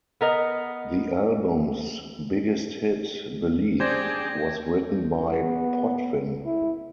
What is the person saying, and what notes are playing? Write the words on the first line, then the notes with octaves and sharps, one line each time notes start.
The album's biggest hit, "Believe", was written by Potvin.
B3 A#4 D#5
D4 G4 G#4 C5 D5 G6 G#6 A#6
B3
E4